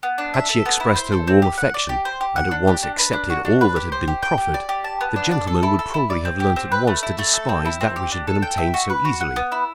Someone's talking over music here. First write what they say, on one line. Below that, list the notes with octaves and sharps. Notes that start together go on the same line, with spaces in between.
Had she expressed her warm affection, and at once accepted all that had been proffered, the gentleman would probably have learnt at once to despise that which had been obtained so easily.
B3
D4
E5
A4
B3
E4
C5
A4
C4
G4
F#5
D5
G4
C5
G4
F#5
D4
G4
D4
B4
D4
F#4
D4
B4
G4
C5
G4
G5
G4
D5
G4
A5
B3
D4
D5
A4
E4
A4
E4
D5
C4
G4
C4
B4
A3
E4
A3
A4
C4
E4
C4
G4
D4
A4
G5
E5
F#4
B4
F#4
F#5
B3
E4